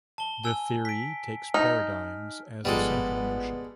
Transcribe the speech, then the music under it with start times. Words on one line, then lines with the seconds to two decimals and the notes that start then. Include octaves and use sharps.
The theory takes paradigms as a central notion.
0.18 A5 G7
0.44 G#5 E6
0.85 B6 D7
1.54 D#4 F6
2.65 G1 G#2 F3 G3 G#3 B3 A4